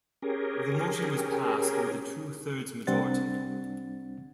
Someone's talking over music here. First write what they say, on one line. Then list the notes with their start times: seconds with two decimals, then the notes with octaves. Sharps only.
The motion was passed with a two-thirds majority.
0.22 C#4 G4 G#4 A#4
2.87 C2 G3 C4 D4 F#5 A6